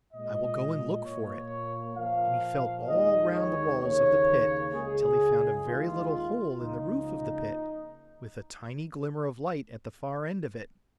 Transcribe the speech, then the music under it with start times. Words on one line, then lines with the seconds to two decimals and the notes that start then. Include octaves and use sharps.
I will go and look for it,' and he felt all round the walls of the pit till he found a very little hole in the roof of the pit, with a tiny glimmer of light at the far end of it.
0.13 A#2 G#3 D#5
1.04 A#2 A#3 C#5
1.97 A#2 F3 A#3 F5
2.89 D#2 D#3 G#3 D#5
3.35 C#5
3.81 D#2 C#3 A#3 C#5
4.73 C#2 C#3 G#3 G#4
5.65 D#2 D#3 G#3 F4
6.57 C#2 C#3 F3 A#3 D#4